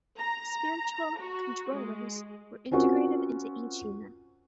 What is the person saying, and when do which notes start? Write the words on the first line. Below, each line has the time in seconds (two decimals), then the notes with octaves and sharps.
Spiritual "controllers" were integrated into each unit.
0.19 A#5
1.19 F#4
1.72 G#3
2.71 C4 C#4 F4 F#4 A#4